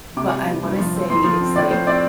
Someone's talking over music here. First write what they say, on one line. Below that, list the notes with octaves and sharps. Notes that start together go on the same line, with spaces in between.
but I wanna say it's, like
C3 D6
G3
C3
G2
F3
C4
F2 C6
F3
C4
A2 D5
F3 C5
C4 D5